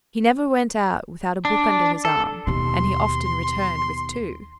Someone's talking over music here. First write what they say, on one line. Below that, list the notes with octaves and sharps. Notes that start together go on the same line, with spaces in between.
He never went out without a book under his arm, and he often returned with two.
D4
A4
D#2 B2 C6